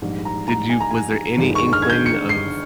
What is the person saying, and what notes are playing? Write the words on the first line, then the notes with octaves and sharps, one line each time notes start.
did you was there any inkling of
A#1 G#2 G3
A#5
A#5
G#5
A#5
G#5
G1 G2 D#3 G#3
C#6
F6
G#6
G6
C#7
C7